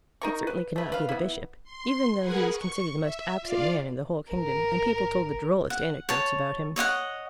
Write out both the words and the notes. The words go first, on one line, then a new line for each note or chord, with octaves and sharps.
It certainly could not be the Bishop; even though he was considered the most absent man in the whole kingdom, and people told the drollest anecdotes about him.
D#4 A#4 C#6
B4
A3 B4
B4 F5
B3 E4
C6
G#4 A#4 B4 F#5 G#5
C#6
E5
F4 D5 F5
G#1 A#4
F#5
C#5 A5
C#5 D#5 F5 F#5